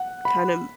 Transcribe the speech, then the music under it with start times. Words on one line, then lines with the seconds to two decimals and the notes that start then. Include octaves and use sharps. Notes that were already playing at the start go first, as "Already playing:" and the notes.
kinda m
Already playing: F#5
0.25 B5